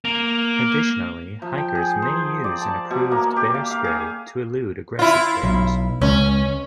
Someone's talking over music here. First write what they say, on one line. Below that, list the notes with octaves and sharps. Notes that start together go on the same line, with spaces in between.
Additionally, hikers may use an approved bear spray to elude aggressive bears.
A#3
F3
G5
G#4
C5
D5
A5
B2
A#3
G4
F5
F5
G#4
E4 F4
B1
C#2 C#4